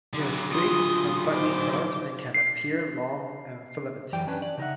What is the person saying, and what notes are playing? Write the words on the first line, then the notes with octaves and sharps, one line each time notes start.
They are straight or slightly curved and can appear long and filamentous.
D3 F#3
F4 C6 D#6
D#4 C5 D6
C7
F#2 E3 G4 D5 G5
C#4 D4 B4
D5
C#3 A3 D#4 C5 E5 F#5